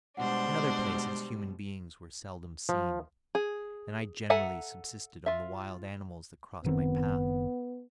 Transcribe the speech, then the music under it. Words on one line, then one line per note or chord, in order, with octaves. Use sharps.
In other places human beings were seldom seen, and I generally subsisted on the wild animals that crossed my path.
B2 G3 G#3 D4 C5 F#5
F3
G#4
A4 E5 F#5 G#5 A#5
F4 E5
F#1 D#3 B3 C4